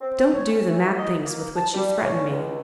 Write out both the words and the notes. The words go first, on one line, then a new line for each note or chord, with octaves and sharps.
Don't do the mad things with which you threaten me.
C4
C#5
C#4
E3
D#5
A#3
A5
G3
C#4
C#2